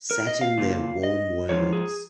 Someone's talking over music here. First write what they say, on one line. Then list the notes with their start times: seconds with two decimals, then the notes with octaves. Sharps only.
Sat in their warm words.
0.11 A#4
0.27 D#5
0.41 F5
0.57 C#3 A#3 F4
1.03 D#5
1.49 G#2 F3 F4 C#5
1.73 G#4